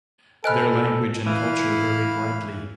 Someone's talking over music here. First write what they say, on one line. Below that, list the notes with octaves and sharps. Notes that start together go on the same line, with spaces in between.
Their language and culture varied widely.
A4 C5 D#5 G#5 B5 F6 F#6 D7
E3 E4 F5 B5 F6